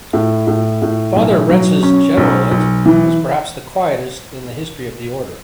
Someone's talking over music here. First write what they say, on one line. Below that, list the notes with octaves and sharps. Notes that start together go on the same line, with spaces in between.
Father Retz's generalate was perhaps the quietest in the history of the order.
A2
A2
A2
B1
F#3
C#4
B1
B1
E3